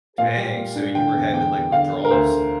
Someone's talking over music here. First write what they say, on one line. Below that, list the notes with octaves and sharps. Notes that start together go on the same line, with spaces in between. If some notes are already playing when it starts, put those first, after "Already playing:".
Dang. So, you were having, like, withdrawals?
A#2 F5
G3
A#2
D4
D3 G5
E2
E2 G5
E2
D3 F5
D3
A#4
D2 C5
D2